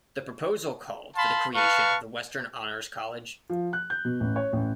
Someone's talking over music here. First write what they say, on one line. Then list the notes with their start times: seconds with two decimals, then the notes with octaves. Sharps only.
The proposal called for the creation of the Western Honors College.
1.16 F5 A5 B5 C6
1.55 B4 F5 A5 C#6
3.50 F3
3.73 F#6
3.90 G6
4.05 B2
4.20 A1
4.36 C#5
4.53 A1